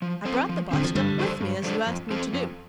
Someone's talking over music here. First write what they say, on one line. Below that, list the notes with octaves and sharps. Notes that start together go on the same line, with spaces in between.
I brought the bust up with me, as you asked me to do.
F3
C4 A4 C5
F3
D3 C4 A4 C5
F3
G2 D3 G3
F3 D4 A4 C5
G2
F3 D4 A4 C5
F2
F3 C4 A4 C5
F2